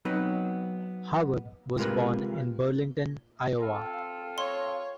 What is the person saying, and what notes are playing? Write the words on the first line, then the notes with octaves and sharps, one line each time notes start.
Howard was born in Burlington, Iowa.
F#3 B3 C4 D#4 B4
C3 G#3 F4 A#4 B4
C4 F4 A4
C#5 F5 C6